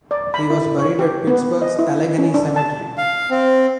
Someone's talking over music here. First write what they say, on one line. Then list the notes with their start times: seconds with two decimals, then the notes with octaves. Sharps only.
He was buried at Pittsburgh's Allegheny Cemetery.
0.11 D5
0.34 B5
0.50 E4
0.78 C#5
0.99 G4
1.27 B3
1.62 D#5
1.79 E4
2.18 C#4
2.34 D4
2.56 A5
2.98 F5
3.30 C4